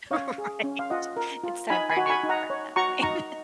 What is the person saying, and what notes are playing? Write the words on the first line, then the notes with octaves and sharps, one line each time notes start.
Right. It's time for a new car at that point.
C#4 C#5 F5
G#4
C#4
F5
F4 D#5 F#5
A#4
F4
D#4 G#5 B5
G#5 B5
F#4
C#6
G#5 B5
D#4
F#5 A#5
C#5
F#4 A#5 C#6
D#4 A#5 C#6